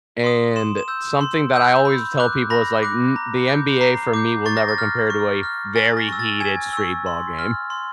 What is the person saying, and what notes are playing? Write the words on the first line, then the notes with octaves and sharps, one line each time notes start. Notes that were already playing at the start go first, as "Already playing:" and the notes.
And something that I always tell people is like, mm the NBA for me will never compare to a very heated street ball game.
C6 D#6
C6 E7
E7
E6 G6
C6
E6 G6
B5
D6 F#6
B5 A#6
D6 F#6
A#5
D6 G6
A#5 C7
D6 G6
C#6 A6
A#6
A6
F6
C#6
F6
G#5 A6
A#6
C#6 E6
A6
G#5 G#6
C#6 E6
C6
F6
C6